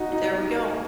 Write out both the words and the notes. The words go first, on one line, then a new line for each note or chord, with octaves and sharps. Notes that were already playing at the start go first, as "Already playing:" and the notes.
There we go.
Already playing: D#4 F#4
D#4